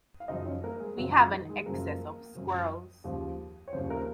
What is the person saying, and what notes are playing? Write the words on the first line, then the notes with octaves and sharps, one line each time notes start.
We have an excess of squirrels.
F5
F#2 C#3 F3 D#4 D#5
C#4 C#5
A#3 A#4
G#3 G#4
F#2 C#3 F3 F#3 F#4
D#3 D#4
G#3 G#4
F#2 C#3 F3 A#3 A#4
F#2 C#3 F3
D#2 C#3 F3
C#5
D#2 C#3 F3 C4 C5
A#3 A#4